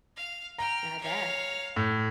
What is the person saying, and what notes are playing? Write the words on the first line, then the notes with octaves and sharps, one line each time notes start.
I bet.
F5
G5 A#5 F6
C#5 F5
A2